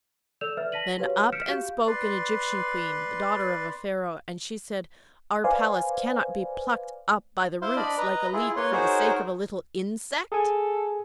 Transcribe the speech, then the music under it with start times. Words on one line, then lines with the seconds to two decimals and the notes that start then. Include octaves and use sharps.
Then up and spoke an Egyptian Queen--the daughter of a Pharoah--and she said, 'Our Palace cannot be plucked up by the roots like a leek for the sake of a little insect.
0.41 A4 D5 E6 G6 E7 F7
0.57 B4 D5 E5 F6 A6
0.72 A5 A#6 B6 D#7 F#7
0.98 F#4 G4 B4 C#5 F5
1.32 F6 G6 B6 C#7 D7 E7
1.48 F#4 G4 F5 G6
1.87 B4 D5 C6
5.44 B4 C5 D5 F5 G#5
7.62 E4 C5 F5 C6
7.76 D4 D5 D#5 B5
7.98 B4 D#5 A#5
8.33 E4 F4 G#4
8.56 A#3 F4 B4 C#5 C6
8.73 D#4 F#4 G#4 A#4 C5 C#5
10.32 G#4 A4 G#5